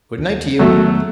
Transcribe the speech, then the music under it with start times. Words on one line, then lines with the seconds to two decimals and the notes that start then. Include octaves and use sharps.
"Good-night to you."
0.18 D#2
0.59 E2 D#3 F#3 A3 B3